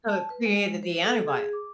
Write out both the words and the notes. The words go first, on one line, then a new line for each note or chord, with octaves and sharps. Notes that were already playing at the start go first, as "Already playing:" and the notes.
So, it created the antibio
A5
B4
G#3
C5
A4
G#4
D6